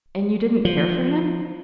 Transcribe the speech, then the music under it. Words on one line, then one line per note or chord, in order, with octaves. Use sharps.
"And you didn't care for him!"
F3